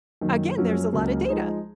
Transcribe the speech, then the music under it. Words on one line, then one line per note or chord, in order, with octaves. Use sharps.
again, there's a lotta data.
F#2 D#3 F#3 A#3
F#2 F3 A#3 C#4 F#4
C#2 C#3 F#3 A#3
F3 G#3 D#4 G#4